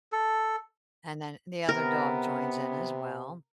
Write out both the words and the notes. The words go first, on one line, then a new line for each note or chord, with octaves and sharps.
and then the other dog joins in as well.
A4
C3 B3 A#4